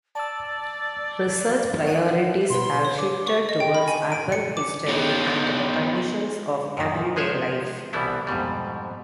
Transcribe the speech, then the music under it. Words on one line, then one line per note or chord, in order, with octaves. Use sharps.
Research priorities have shifted toward urban history and the conditions of everyday life.
D5 A5 E6
C#5 D#5 F#5
B2 B4 C6
C#5
D6
C#6
D#5
G5
B5
G#5
D7
C#7
D6
B3 D#4 G4 C#5
F#2 A#2 D#3
F3 G#3 G#4 C5 C#5 E5
C2 B2 E3 G3 B3 E4
F2 G#2 B2 G3